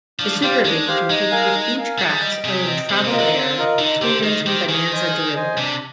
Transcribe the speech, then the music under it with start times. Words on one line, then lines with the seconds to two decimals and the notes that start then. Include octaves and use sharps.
The Super-V competed with Beechcraft's own Travel Air twin-engine Bonanza derivative.
0.20 F3 D4
0.42 G3 G4 C5 F5
0.64 G#3 D4
0.88 G4 C5 F5
1.09 G#3 D#4
1.32 A#4 F5 G#5
1.54 D#4
1.76 A#4 F5 G#5
1.99 G3 G#4
2.22 D#5 G5
2.44 C3 G#4
2.66 D#5 G5
2.90 D3 C4
3.04 C3
3.11 F4 A#4 D#5
3.19 D3
3.33 C4
3.57 F4 A#4 D#5
3.78 D3 D#4
4.01 D3 G4 C5 G5
4.23 D#3 D#4
4.46 D#3 G4 C5 G5
4.68 D#3 G#4
4.91 C5 D#5 G#5
5.13 G#4
5.35 C5 D#5 G#5
5.57 C3 D4